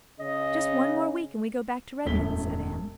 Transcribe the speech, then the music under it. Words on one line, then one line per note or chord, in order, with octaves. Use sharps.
"Just one more week and we go back to Redmond," said Anne.
C#3 D#5
E1 F#2 A2 B6 G7